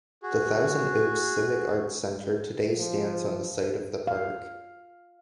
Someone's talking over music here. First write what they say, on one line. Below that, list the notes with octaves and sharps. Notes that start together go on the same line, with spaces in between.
The Thousand Oaks Civic Arts Center today stands on the site of the park.
F#4 G#4
F3
F5